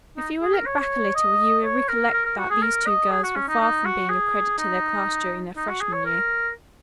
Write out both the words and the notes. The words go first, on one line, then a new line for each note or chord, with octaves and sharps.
If you will look back a little you will recollect that these two girls were far from being a credit to their class during their freshman year.
D#4
G#4
A#4
C#5
D#5
C#5
A#4
A#4
A#4
F#4
G#4
A#4
D#5
G#4
F#4
C#4
D#4
D#4
F#4
G#4
D#4
D#4
F#4
G#4
C#5
A#4